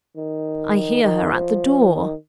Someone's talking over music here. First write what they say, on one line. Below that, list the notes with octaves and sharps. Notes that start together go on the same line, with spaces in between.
'I hear her at the door!'
D#3
D#3
F3
D#3